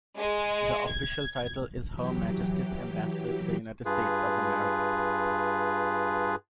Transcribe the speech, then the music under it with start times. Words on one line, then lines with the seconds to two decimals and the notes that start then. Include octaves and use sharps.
The official title is Her Majesty's Ambassador to the United States of America.
0.17 G#3
0.90 G#6
1.95 E3 F#3 G4
3.85 G2 F4 G#4 B4